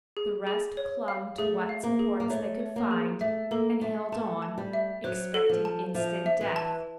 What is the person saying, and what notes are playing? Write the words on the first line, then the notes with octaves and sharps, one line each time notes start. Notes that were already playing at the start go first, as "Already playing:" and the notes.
The rest clung to what supports they could find and held on expecting instant death.
G#4
G#4
C#5
F5
A3 G#4
F5
A#3
G#4
A#3
A3 C#5
C#5
A#3
G#4
A3 E5
A#3 A4
A3 E5
A3 A5
A5
G3
E5
F#3 C5
A4
F3
A5
F3 E5
E5
E3
A5